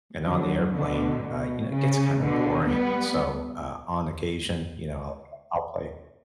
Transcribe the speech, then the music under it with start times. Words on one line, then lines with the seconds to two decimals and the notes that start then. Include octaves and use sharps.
and on the airplane, uh, you know, it gets kinda boring, so, uh, on occasion, you know, I'll I'll play
0.24 D3 F#3
0.73 B2 D3
1.23 B2
1.72 C#3
2.21 B2 D3
2.70 G3 B3